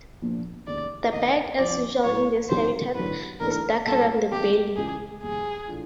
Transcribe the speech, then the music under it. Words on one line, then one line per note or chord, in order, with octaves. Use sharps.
The back, as usual in this habitat, is darker than the belly.
A#1 A#2 F3 A#3 D4
F1 D#2 D#3 G#3 C#4 D5
D2 C3 D#3 D#5
C2 C3 F3 D5
A2 F#3 A3 C#5
G#1 G#2 D#3 F#3 C5
A1 G2 D3 F#3 B4
G#2 E3 A3 D4 A#4
C2 A#2 G3 A4
D#2 D#3 F#3 A3 C4 G4
C#2 C#3 E3 G#4
F1 D#2 D#3 G3 G#4
A2 E3 A3 D4 F4